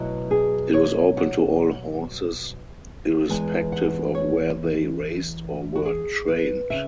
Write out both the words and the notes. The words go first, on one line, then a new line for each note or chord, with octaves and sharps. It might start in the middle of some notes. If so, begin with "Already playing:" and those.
It was open to all horses irrespective of where they raced or were trained.
Already playing: B2 F#3 B3 E4
G#4
C#5
F#5
E2 E3 G#3 B3 G#5
F#5
C#5
F#4
G#4
B4
C#3 E5